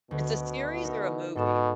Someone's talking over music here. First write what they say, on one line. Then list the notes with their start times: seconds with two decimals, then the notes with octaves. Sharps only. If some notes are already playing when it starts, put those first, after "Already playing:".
It's a series or a movie?
0.11 D2 B2
0.85 D#4 A#4 E5
1.36 G#2 B2 A4 E7